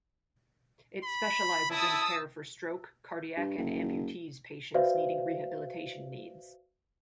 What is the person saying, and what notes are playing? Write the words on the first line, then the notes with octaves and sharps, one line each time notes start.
It specializes in care for stroke, cardiac and amputees patients needing rehabilitation needs.
B5
E4 A5 D#6 E6
G2
F#1
F#4 B4 C5 D5 E5 F5